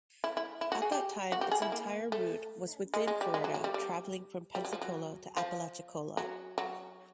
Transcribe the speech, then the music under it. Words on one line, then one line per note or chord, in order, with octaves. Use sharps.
At that time, its entire route was within Florida, traveling from Pensacola to Apalachicola.
E4
E4
E4
F#4
G#4
G4
F#4
G4
G#4
E4
A#3
A3
G#3
G#3
G3
G#3
F#3
F#3
G3
G3
G3
F#3
F3
F#3
F3
F#3
F#3